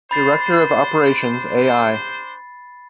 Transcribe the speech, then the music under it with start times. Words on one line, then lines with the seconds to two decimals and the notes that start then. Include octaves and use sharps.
Director of Operations, a.i.
0.11 D4 C5 B5 A6 C7